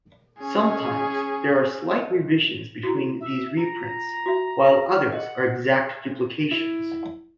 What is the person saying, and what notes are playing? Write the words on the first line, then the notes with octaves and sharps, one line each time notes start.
Sometimes there are slight revisions between these reprints, while others are exact duplications.
C#4 G#4
E4 F#4
E5
F4 A#5
F#4 E5
F6
D#5 F#5
E4